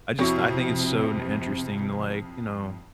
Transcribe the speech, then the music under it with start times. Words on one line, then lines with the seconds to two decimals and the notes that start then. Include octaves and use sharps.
I just I think it's so interesting to like, you know,
0.19 F2 C3 E4 F#4 C#5